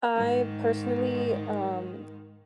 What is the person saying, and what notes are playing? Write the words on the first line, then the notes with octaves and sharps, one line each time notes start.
I personally, um
G#2 D#3